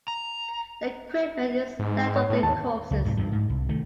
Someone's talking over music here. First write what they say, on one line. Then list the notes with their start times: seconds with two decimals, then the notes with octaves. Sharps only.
Their equipment is left on their corpses.
0.08 A#5
1.79 G#2
2.16 C#5
2.30 A2
2.43 D#2 A5
2.91 C#2 F#3
3.05 G#2 C3 F3 F#3
3.17 D2 G2 F3
3.32 G#2
3.49 C2
3.69 D#3 A3